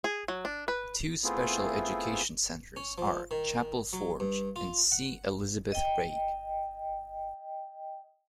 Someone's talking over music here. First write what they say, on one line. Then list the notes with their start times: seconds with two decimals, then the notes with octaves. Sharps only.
Two special education centers are Chapel Forge and C. Elizabeth Reig.
0.04 G#4
0.28 F#3
0.45 D4
0.68 B4
1.24 A3 B3 C4 E4 F4 G#4
2.76 C#4
2.98 F3
3.31 D#3
3.93 F#3
4.20 G2
4.56 F4
4.92 F#5
5.72 D#5 G5